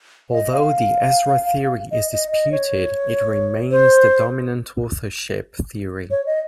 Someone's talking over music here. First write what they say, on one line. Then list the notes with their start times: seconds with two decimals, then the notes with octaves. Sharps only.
Although the Ezra theory is disputed, it remains the dominant authorship theory.
0.32 D#5
0.52 F5
1.92 D#5
2.12 D#5
2.32 D#5
2.52 C#5
3.71 C5
6.11 C#5
6.26 D#5